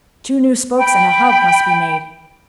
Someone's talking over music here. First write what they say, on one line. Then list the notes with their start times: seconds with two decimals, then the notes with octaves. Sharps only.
Two new spokes and a hub must be made.
0.78 G5 B5